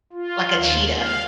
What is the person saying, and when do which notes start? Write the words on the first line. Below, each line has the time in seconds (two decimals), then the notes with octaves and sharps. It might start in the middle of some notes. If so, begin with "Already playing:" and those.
like a cheetah,
0.13 F4
0.56 D#2
0.96 F5